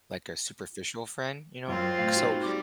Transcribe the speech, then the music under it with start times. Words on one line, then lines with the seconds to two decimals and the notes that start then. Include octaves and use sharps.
like a superficial friend, you know? C So,
1.68 F#2 F#3 C4 F4
1.99 A2 F5
2.17 D#4 F#4
2.44 G3 D6